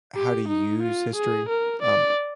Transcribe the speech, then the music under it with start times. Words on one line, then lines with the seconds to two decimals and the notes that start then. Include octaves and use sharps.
how to use history, um,
0.15 G4
0.48 D#4
0.82 F4
1.16 G#4
1.49 A#4
1.82 D5